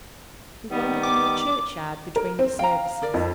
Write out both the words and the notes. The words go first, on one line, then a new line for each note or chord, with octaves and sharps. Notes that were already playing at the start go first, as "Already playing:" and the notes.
He wandered in the churchyard between the services.
D#3 G3 B3
D6
A#4
C4
F5 G5 A#5
D4 A#4 D5
F2